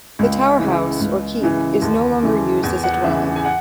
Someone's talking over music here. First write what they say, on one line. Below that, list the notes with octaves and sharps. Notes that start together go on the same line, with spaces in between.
The tower house, or keep, is no longer used as a dwelling.
C#2
C#3 E3
C#2
C#3 E3
D#2
C#3 E3
E2 G#5
F#5
C#3 E3 E5
G#5
F#5